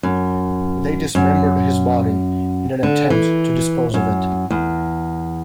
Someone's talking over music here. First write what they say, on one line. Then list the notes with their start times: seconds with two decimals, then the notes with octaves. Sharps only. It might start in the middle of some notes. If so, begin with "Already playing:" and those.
They dismembered his body in an attempt to dispose of it.
0.03 F#2
1.15 F#2
2.83 D3
3.10 E3
3.94 F#2
4.51 E2